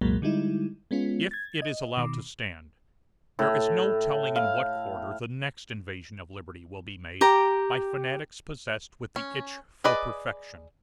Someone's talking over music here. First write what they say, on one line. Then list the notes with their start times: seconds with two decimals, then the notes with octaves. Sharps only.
If it is allowed to stand, there is no telling in what quarter the next invasion of liberty will be made by fanatics possessed with the itch for perfection.
0.01 C2 F#2 A#2 F#3 G#3 A#3
0.22 D3 G3 G#3 D#4 E4
0.91 G#3 B3 C#4 F4
1.31 G#6 A6
1.62 D#5
1.97 B2 D#3 D6
3.39 A2
4.36 F5
7.21 G4 A#5 D6
9.16 C#4
9.84 G#4 B4 D5 D#5